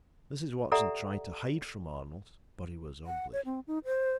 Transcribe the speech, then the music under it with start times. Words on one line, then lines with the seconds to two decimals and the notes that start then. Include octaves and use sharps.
Mrs. Watson tried to hide from Arnold, but he was ugly.
0.71 G4 A4 D5 E5 F#5 A#5
3.07 F#5
3.33 C#5
3.45 C4
3.67 D#4
3.85 C5